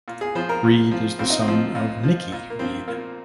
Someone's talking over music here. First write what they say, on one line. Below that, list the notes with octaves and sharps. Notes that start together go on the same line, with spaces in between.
Reed is the son of Nikki Reed.
A#2
G#4
F3 C5
A#4
A#2
F3
A#2 C4
D#4
C4
F3
A#2
F3
A#2
A#3
F3 C4
A#2 A#3